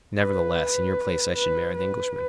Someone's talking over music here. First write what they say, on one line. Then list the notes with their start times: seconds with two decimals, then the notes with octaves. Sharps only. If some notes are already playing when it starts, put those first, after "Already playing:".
"Nevertheless, in your place I should marry the Englishman."
0.19 B4
1.35 B4
1.75 B4